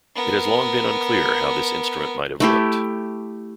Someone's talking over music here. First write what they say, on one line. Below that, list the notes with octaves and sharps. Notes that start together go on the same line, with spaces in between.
It has long been unclear how this instrument might have looked.
B3 A#4
A3 E4 G4